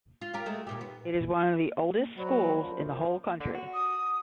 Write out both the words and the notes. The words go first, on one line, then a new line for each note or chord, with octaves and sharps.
It is one of the oldest schools in the whole country.
F4
F4 G4 A#4
G#3 A3
D#2 A#2 G4
B3
F#3 C5 D5 B5
F#2 F3
D3
F#4
D#6